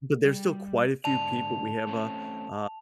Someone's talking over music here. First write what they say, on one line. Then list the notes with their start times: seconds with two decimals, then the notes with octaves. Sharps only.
but there's still quite a few people. We have a a
0.25 G3
1.04 G#2 D3 D5 A5 F7
1.87 A3 C4 C#4